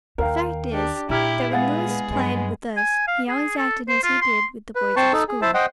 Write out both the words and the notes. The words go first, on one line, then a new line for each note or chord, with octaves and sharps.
The fact is, that when Louis played with us he always acted as he did with the boys at school.
D#2 A#4 F5 G5
D4 G4
A#2 E4 G4 A#5 F6 G#6
G#3 B3 G#4 F5 F#5 A6
G2 F#3 G#3 B3
G#5
F5
G#4
A4
C5
F4
C6
B4
C4 C5 A5 C#6
D#4 A4
G#4
E4 C5 E5 A5
C5 D#5 F#5 G5